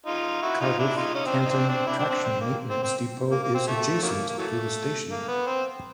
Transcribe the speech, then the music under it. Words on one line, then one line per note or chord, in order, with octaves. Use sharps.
Cardiff Canton Traction Maintenance Depot is adjacent to the station.
D#4 F4
E4 F#4
D#4 F4
D4 E4
D#4 F4
C#4 D#4
C4 D4
C4
D#4
C4 D4
C4 D4
D4 E4
C4 D4
C4 D4
C4
A#3
C4
C4
A#3
A#3
C4
A3
D#3 F#3 A#3
A#3
E3 F#3 A3
A#3
B3
C4